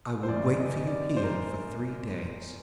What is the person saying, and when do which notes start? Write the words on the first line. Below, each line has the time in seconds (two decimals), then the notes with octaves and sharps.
I will wait for you here for three days.'
0.23 C5
0.28 F#2 D#3 D5
0.58 D#5
0.87 D5
1.17 C5
1.24 A#4